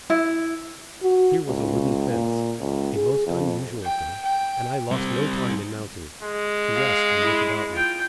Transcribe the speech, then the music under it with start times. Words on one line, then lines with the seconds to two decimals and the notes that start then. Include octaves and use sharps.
Here was a wooden fence,--a most unusual thing,--and I lost no time in mounting it, to rest and look about me.
0.10 E4
1.02 F#4
1.47 C#2
2.10 A#2
2.59 C#2
2.96 G#4
3.26 F2
3.83 G5
4.24 G5
4.91 G3 C4
6.22 G#3
6.74 F5
7.19 E4
7.71 F4 G5